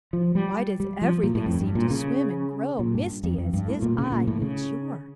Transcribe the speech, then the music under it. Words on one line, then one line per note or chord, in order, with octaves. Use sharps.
Why does everything seem to swim and grow misty as his eye meets yours?
F3
G3
G3
F3
A#2
A2
F2
G2
A#2
C#3
A#2
G2
F2
F2
G2
A2
A#2
C#3
A#2
A2
C#3